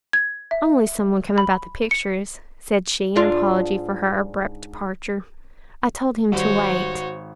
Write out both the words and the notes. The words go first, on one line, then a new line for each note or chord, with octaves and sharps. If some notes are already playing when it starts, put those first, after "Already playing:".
'Only some one come about the pictures,' said she, in apology for her abrupt departure: 'I told him to wait.'
G#6
E5
B5
C#7
G#2 D4 F4
G#1 G3 F#4 C5 C#5